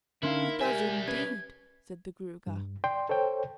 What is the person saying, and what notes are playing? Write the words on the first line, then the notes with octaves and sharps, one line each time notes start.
"He does indeed," said the Gruagach.
D3 C#4 D#4 E4 A#4 F5 C6
G3 G4 E5 G#5
C#4 B4 G#6
G2
D5 G5 C6
A4 C5 C#5 G5